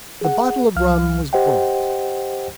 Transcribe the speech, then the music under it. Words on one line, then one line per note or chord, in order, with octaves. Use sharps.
The bottle of rum was brought.
G#4 F#5
C2 F#3 F5 F6
G4 C5 D#5 F#5 G5